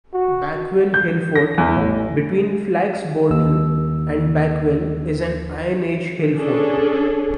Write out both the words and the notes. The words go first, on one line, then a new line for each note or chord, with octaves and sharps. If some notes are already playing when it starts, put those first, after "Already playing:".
Backwell Hillfort between Flax Bourton and Backwell is an iron age hill fort.
F#4
G6
A#6
E2
A1
D#2 E6
C#4 D4 G#4 A4